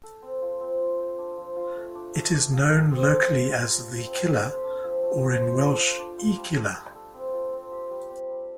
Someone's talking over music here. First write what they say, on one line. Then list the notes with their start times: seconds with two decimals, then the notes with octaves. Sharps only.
It is known locally as 'The Killer' or in Welsh 'Y Killer'.
0.03 A4
0.22 C4
0.42 F4
0.61 C4
0.80 F4
0.99 C5
1.18 D4
1.37 F3
1.56 F4
1.77 A3
1.95 D4
2.15 A3
2.34 D5
2.53 F5
2.72 A4
2.91 C4
3.11 A4
3.30 F5
3.49 F4
3.68 G3
3.88 C5
4.06 C4
4.26 G4
4.46 C4
4.64 D4
4.84 F3
5.03 A3
5.22 F3
5.42 C5
5.60 D4
5.80 F4
5.99 D4
6.18 F4
6.37 G3
6.56 D4
6.76 G3
6.95 A4
7.14 C4
7.33 F4
7.53 C4
7.72 G4
7.91 G3
8.10 C4
8.30 G3